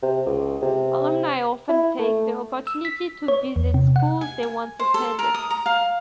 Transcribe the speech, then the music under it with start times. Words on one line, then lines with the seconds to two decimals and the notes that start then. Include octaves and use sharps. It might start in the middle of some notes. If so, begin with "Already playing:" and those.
Alumni often take the opportunity to visit schools they once attended.
0.02 C3
0.26 C#2
0.62 C3
1.69 E4
1.99 A3
2.67 E6
2.85 B6
3.28 C#5
3.56 E2
3.74 C3
3.96 F#5
4.21 G#5
4.43 G#5
4.79 C5
4.94 A4
5.19 A#4
5.34 D#6
5.50 A#5
5.66 F5